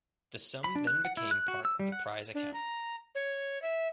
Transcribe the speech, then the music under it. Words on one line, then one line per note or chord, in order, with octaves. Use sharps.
The sum then became part of the prize account.
B5
D4
F#6
F#5
E4
F#6
F#4
E6
G3
F#5
D4
A#5
C#5
E5